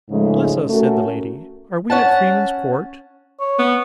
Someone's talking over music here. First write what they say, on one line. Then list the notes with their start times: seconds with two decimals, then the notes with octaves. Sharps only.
'Bless us!' said the lady.'Are we at Freeman's Court?'
0.10 G#2 C#3 F3 G#3 A3
0.70 A3 C#4 F#4 A4 A#4
1.90 C#4 F#5 A5
3.40 C#5
3.59 B3